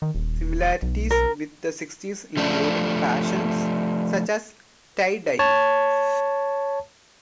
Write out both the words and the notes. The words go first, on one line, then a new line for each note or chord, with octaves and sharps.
Similarities with the Sixties included fashions such as Tie-dye.
D#3
D#1
B1
A#4
F3 A3 D4
C#5 A5